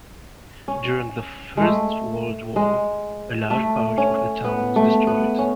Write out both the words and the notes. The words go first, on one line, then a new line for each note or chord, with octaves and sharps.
During the First World War a large part of the town was destroyed.
C#4
G#3 A3
G#3
A3
C#4
B3
A3
B3
C#4